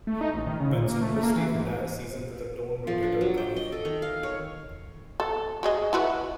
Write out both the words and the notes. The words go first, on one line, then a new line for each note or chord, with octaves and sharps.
Benson missed the entire season with a torn rotator cuff.
A3
D#4
A1
D#3
C#3
A#2
A#3
A3
A#3
E3
G#2
F3
D4
F#3
G5
D#5
A4
D#3
F5
C#5
A4
F#4 G#4 D#5
E4 F#4 B4